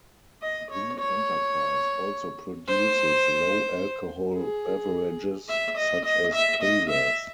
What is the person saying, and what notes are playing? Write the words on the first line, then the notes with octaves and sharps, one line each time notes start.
The enterprise also produces low-alcohol beverages, such as kvass.
D#5
C#5
C#5
C5
G#4
E5
D#5
D#5
E5
D#5
E5